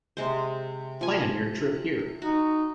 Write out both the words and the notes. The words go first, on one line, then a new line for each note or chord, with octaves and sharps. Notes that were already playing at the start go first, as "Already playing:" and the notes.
Plan your trip here.
C3 G#3 C5
F3 G#5
D#4 F#4